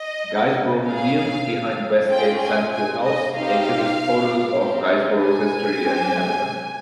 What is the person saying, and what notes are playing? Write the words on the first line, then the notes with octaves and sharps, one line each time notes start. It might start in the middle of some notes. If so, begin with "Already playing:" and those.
Guisborough Museum, behind Westgate's Sunnyfield House, exhibits photos of Guisborough's history and inhabitants.
Already playing: D#5
C#4 G#4 F5
C#4 F4 G#4 G5
G#5
G#5
D#5
C4 D#4 G4 F5
C4 G4
G#5
C4 G4